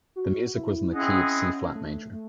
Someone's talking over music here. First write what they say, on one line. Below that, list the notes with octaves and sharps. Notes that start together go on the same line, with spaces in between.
The music was in the key of C flat major.
F#4
E4
C4 C#4 E4 G#4 D#5 F#5
A3
A3